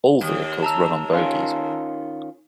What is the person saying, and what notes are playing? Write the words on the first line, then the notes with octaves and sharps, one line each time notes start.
All vehicles run on bogies.
D#2
A5 A#5 E6
D#3 C#4 F4